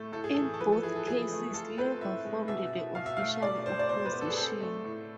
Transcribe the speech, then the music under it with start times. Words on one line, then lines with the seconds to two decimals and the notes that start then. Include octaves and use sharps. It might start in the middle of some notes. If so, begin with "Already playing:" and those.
In both cases, Labour formed the official opposition.
Already playing: A2 A3 A4
0.13 A2 A4
0.24 G#4
0.34 E3 A4
0.54 A4
0.60 F3 B4
0.72 A4
0.83 E4 G#4
0.96 A4
1.07 F3 G#4
1.31 A3
1.54 F4 A4
1.78 C4 B4
2.01 A2 E5
2.25 G#3
2.48 B2 E5
2.73 E4
2.95 B2 F5
3.06 E5
3.17 A3 F5
3.42 B2 D5
3.66 D4 C5
3.79 D5
3.89 B2 C5
4.06 B4
4.13 B3
4.21 A4
4.30 G#4
4.37 C4 A4
4.61 A3
4.85 A2